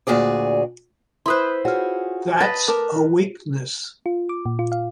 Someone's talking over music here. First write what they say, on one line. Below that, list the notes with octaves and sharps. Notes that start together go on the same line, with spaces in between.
That's a weakness!
D2 A#2 F#4 G#4 D5
E4 B4 C5 C6 D#6 F#6
F4 F#4 G#4 C#5 F6
B4 D#5 A5 A6 A#6
A#4 A5 D6
E4
F4
D6
A#2
F4
F5